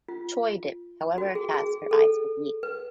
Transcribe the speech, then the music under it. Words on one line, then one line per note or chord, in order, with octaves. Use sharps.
Choi-dip, however, has her eyes on Yik.
F4
F#4
G#4
G#4
A4
B4